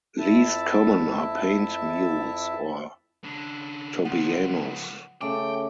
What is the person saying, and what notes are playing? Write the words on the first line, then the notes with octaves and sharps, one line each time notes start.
Least common are paint mules or tobianos.
F2 E4 E5 A5
C#3 D4
C#2 F3 F#5
C#3 A3 G5 D6